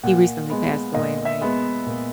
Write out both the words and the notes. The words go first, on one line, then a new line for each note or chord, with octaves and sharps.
he recently passed away, right,
A#2 F#5
G#3 B3
A#2 D#5
E5
G#3 B3
A#2